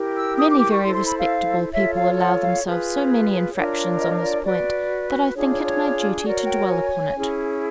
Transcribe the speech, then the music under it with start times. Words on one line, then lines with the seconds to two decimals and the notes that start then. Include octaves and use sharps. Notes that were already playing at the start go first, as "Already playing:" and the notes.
Many very respectable people allow themselves so many infractions on this point, that I think it my duty to dwell upon it.
Already playing: E4 G4 A#4
0.16 E6
0.38 D#6
0.49 D6
0.60 D6
0.71 C#6
0.83 E4 A4 C5 C6
0.94 C6
1.06 B5
1.17 F5
1.73 F4 A4 C#5 E5
1.96 F5
2.18 F#5
2.41 F5
2.64 F4 G#4 B4
3.54 D4 F4 A#4 C#5
3.99 D#5
4.17 D#5
4.21 D5
4.44 F#4 B4 D5
5.34 D4 F4 G#4 C#5
5.49 C#5
5.63 C#5
6.24 F#4 A#4 C#5 D5
6.46 G5
6.70 G#5
7.15 C#4 E4 G#4